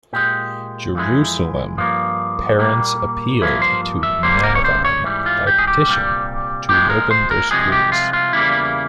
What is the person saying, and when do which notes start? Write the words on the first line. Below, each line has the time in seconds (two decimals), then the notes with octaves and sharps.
Jerusalem parents appealed to Navon by petition, to reopen their schools.
0.13 A#2 G#3 G4
0.95 F2 E3 G#3
1.78 G2 F3 A#3
2.59 A#2 G3 A#3
3.41 G2 F3 A#3 E4
3.62 C5
4.03 E5
4.23 C#2 C#3 G3 A#3 C5
4.44 A#4
4.55 C#5
4.65 C5
4.85 C#5
5.05 G#2 E3 G3
5.26 F4
5.47 G4
5.58 G#4
5.67 G4
5.88 C2 A#2 G3
6.69 A#2 F3 G#3 G4
6.90 A#4
7.11 C5
7.31 A#4
7.51 C2 C3 F3 G#3 G#4
7.72 G4
7.92 F4
8.13 F4
8.33 E2 C#3 G3 A#3 E4